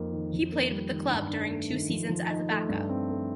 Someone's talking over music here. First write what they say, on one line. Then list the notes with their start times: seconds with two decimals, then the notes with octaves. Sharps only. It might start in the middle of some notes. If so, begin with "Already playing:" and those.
He played with the club during two seasons, as a backup.
Already playing: F2 A#3 D#4
0.13 D#3
0.33 F2
0.52 A#3
0.71 G3
0.91 D#3
1.10 G2
1.30 D4
1.50 A3
1.70 D#3
1.90 F3
2.09 F3
2.30 D#4
2.50 A3
2.69 G2
2.89 C4
3.09 A3